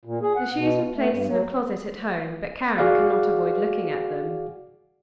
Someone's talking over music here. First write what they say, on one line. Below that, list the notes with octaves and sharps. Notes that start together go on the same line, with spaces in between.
The shoes were placed in a closet at home, but Karen could not avoid looking at them.
A#2
G#4
F#5
B2
A3
G2
F#3
F#4 G#4 D5 F5 F#5